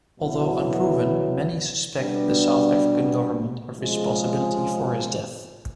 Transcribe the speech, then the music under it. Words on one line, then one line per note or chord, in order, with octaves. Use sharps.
Although unproven, many suspect the South African government of responsibility for his death.
E2 B2 F#3 B3 E4
B2 G3 B3 D4
C#3 F3 G#3